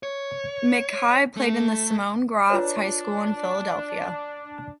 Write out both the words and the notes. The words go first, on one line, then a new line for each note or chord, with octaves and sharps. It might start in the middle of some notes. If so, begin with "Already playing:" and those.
McKie played in the Simon Gratz high school in Philadelphia.
C#5
A3
D4 F4 B4 C#5